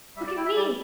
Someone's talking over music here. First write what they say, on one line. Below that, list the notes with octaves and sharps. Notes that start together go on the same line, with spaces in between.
"Look at me!"
G3 E5
D5
E4 G5
E5
G3 D5